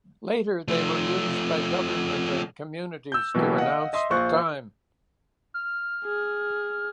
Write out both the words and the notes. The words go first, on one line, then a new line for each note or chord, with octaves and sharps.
Later they were used by government and communities to announce the time.
F3 A3
E6 G6
B2 E3 F#3 A#3 B3 G4
D#5 F5 F#5
D#5 E5 C6 D#6
A#1 F4 C5 C#6 F#6
F6
G#4